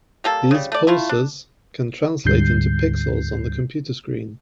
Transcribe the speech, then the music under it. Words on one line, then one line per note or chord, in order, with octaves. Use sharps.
These pulses can translate into "pixels" on the computer screen.
G3 A#3 A4
C#3 G3
A3 D5
A3 E4 F4
D4
D2 G#2 D3 G3 G6 C7